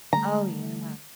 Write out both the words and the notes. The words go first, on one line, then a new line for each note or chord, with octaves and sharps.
Oh, yeah.
D3 G3 A3 A#5